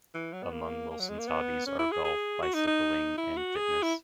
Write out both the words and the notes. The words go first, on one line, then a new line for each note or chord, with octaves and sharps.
Among Wilson's hobbies are golf, bicycling, and fitness.
E3
F#3
B3
A#3
A#3
F#3
G#3
A#3
B3
C#4
E4
G#4
G#4
F#4
D#4
D#4
E4
F#4
G#4
E4